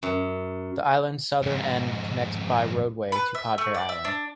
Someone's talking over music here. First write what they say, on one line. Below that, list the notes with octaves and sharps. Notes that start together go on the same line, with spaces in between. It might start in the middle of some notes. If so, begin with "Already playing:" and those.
The island's southern end connects by roadway to Padre Island.
F#2
F2 G#2
B4
E5
A3
D5
E5
D4